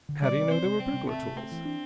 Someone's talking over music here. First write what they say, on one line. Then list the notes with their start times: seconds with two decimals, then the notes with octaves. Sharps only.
"How do you know they were burglar tools?"
0.09 D3
0.22 G3 D5
0.37 C3
0.50 C4 C5
0.65 C3
0.79 G3 C4
0.93 C3
1.08 A3 C4
1.22 C3
1.36 A3 C4
1.51 E3
1.65 D4